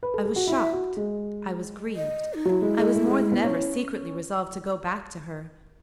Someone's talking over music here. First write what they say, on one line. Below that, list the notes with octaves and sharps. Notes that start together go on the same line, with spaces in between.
I was shocked; I was grieved; I was more than ever secretly resolved to go back to her.
B4
A4
G#4
F#4
E4 E5
F#4
G#3
D#5
D#4
F#3 E4 F#4
G#3
G#3
A3
G#3
G#3
B3
C#4